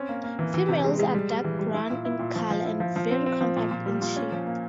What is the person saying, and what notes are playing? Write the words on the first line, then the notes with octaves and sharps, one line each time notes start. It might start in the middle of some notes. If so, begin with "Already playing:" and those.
Females are dark brown in color and very compact in shape.
Already playing: C4 C#4
A#3
A#3
E3
E3
C3
G#3
G#3
G3
G3
E3
G3
E4
A#2
E4
A#2
F3
F3
E4
F3
F3
C4
C4
F3
A#2
A#2
G3
A#2
C#4
F3
A#3